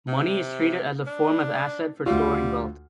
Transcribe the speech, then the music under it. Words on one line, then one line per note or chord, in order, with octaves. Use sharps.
Money is treated as a form of asset for storing wealth.
C3
D4
D2 G3 F4